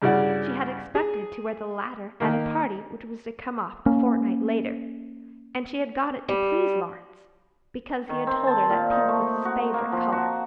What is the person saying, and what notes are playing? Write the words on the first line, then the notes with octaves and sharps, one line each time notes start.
She had expected to wear the latter at a party which was to come off a fortnight later, and she had got it to please Lawrence, because he had told her that pink was his favourite colour.
G2 C#3 E4 F#4 D5 F#5
G#4
D#3 A#3
A#3 C#4
G3
D#3
C4
A5
A#2
D#4
A3
F#4
A#3
F3
F#4